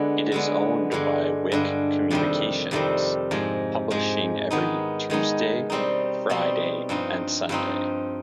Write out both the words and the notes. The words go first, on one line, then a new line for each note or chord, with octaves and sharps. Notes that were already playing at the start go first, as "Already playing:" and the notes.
It is owned by Wick Communications, publishing every Tuesday, Friday, and Sunday.
Already playing: D3 G#3 B3
D3 G#3 B3
G2 D3 G#3
G2 D3 G#3
F2 C3 D#3 G3
F2 C3 D#3 G3
G#2 F3 G#3
G#2 F3 G#3
D#3 G#3 B3 D#4
D#3 G#3 B3 D#4
B2 G3 C4 D#4
B2 G3 C4 D#4
G2 F3 C4 D#4
G2 F3 C4 D#4